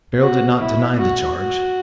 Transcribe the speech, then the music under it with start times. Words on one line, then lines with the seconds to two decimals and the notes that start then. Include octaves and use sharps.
Beryl did not deny the charge.
0.21 F#4
0.59 E4
0.97 F#4
1.36 F#4